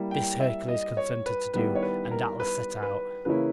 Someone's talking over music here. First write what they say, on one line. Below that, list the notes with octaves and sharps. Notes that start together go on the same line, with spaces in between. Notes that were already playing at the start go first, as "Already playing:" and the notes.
This Hercules consented to do, and Atlas set out.
Already playing: G3 A#3 E4
G5
E5
D#5
C#5
B4
D#3 G3 B3 E4 B4
C#5
B4
A#4
B4
B4
C#3 E3 A#3 C#4 E4 B4